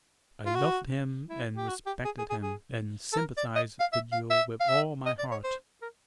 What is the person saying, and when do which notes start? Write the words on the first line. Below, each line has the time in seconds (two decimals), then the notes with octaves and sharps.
"I loved him and respected him, and sympathize with you with all my heart."
0.46 F4
0.55 F#4
1.29 E4
1.56 G4
1.68 F#4
1.86 G4
2.04 G#4
2.18 G#4
2.30 G#4
2.43 G#4
3.13 A4
3.17 A#4
3.37 D5
3.56 D#5
3.80 F5
3.93 E5
4.12 F5
4.30 E5
4.60 F5
4.68 E5
5.06 D#5
5.18 D5
5.31 C#5
5.43 C5
5.82 A#4